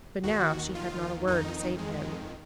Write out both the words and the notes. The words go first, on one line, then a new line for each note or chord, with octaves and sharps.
But now she had not a word to say to him.
D#2 D#3 F#4
F4
F2 D#3 D#4
G#3